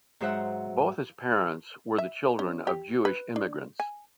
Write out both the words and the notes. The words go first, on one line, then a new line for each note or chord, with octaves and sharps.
Both his parents were the children of Jewish immigrants.
G#2 F#3 C5 E5 F#5
E5
C#4
G4
B4
D4
G#5